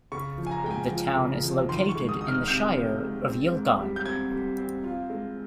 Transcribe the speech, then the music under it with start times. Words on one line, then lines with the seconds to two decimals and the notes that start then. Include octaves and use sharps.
The town is located in the Shire of Yilgarn.
0.12 C#3 C#6
0.38 F3
0.47 G#5
0.51 A#5
0.64 G#3 G5
0.71 G#5
0.90 F3
1.17 C#3
1.43 F3
1.69 D#3 C6
1.89 C#6
1.95 G#3
2.09 D#6
2.21 D#4 D#6
2.28 F6
2.48 C3 G6
2.74 D#4
3.00 G#3
3.27 C4
3.53 G#2
3.79 G3
3.96 G6
4.05 C4 G#6
4.32 G3
4.58 C4
4.84 F4
5.10 G#3